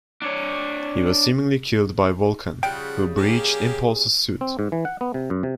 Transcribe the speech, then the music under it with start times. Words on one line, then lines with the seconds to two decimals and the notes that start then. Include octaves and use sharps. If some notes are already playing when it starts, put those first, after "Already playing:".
He was seemingly killed by Vulcan, who breached Impulse's suit.
0.22 D4 C#5
2.63 C#3 F3 G3 F#5 G5
3.17 A#3 C#4 G4 G#4
4.41 C4
4.59 G#2
4.72 E3
4.85 F#5
5.01 B3
5.14 C3
5.30 F#2
5.43 C3